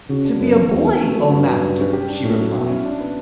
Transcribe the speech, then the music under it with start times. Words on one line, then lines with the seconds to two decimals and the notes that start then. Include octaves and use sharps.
"To be a boy, O master!" she replied.
0.09 C#3 F#4
0.24 D4
0.40 F#2 B3
0.55 E3
0.71 E2 F#4
0.86 B3
1.01 A3
1.17 F#3
1.32 G2 C#4
1.47 F#3
1.63 F#4
1.78 C#4
1.93 G4
2.08 D4
2.24 A2 C#4
2.39 F#3
2.54 B2 E4
2.70 C#4
2.85 D4
3.00 B3